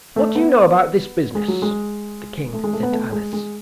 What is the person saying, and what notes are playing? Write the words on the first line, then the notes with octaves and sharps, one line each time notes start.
'What do you know about this business?' the King said to Alice.
A3
B3
G#3
F#3
G#3
A3
G#3
A3
B3
A3
G#3
G#3